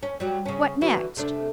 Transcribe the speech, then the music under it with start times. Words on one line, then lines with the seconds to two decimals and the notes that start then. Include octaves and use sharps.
"What next?"
0.03 C#4
0.20 F#3 G3
0.46 C#3 C#4
0.81 D3 E3 F#4
1.16 C3 A3 D4